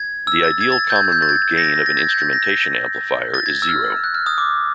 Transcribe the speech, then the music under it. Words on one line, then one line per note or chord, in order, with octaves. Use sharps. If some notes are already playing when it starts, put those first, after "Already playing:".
The ideal common-mode gain of an instrumentation amplifier is zero.
Already playing: G#6
E6
A6
G#6
A6
A6
G6
G#6
G6
A6
G#6
A#6
A6
A#6
A6
G#6
G6
A6
A#6
A#6
A6
G#6
E6
F6
F#6
F6
D#6
D6